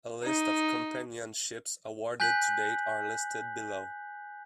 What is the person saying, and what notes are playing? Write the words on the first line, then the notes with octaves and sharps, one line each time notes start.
A list of companionships awarded to date are listed below.
D#4
G#5 F#6 G6 B6 F#7